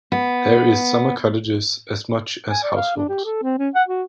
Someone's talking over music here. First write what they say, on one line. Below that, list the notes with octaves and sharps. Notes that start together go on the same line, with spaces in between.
There is summer cottages as much as households.
B3
G#5
D5
F5
D4
G4
A4
C4
C#4
F#5
F#4